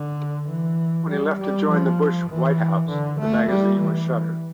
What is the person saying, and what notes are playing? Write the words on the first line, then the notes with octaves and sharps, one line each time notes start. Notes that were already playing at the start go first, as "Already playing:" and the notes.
When he left to join the Bush White House, the magazine was shuttered.
Already playing: D3
E3
G3
G3
F3
E3
D3
A3
G3
E3